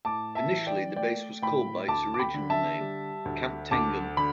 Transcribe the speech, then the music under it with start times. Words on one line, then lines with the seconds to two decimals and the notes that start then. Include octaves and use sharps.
Initially the base was called by its original name, Camp Tengan.
0.05 A2 A5 D6
0.35 E5 A5
0.51 E3
0.66 D5 G5
0.96 A3 D5 G5
1.42 A2 G5 B5
1.88 D2 A5 D6
2.14 D6
2.19 G5 B5
2.34 D3
2.50 E5 A5
2.80 G3
3.25 D2
3.71 D2 A5 D6
4.17 D3 B5